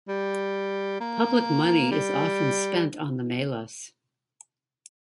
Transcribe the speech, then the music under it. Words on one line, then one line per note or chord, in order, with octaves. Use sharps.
Public money is often spent on the melas.
G3
A#3
G3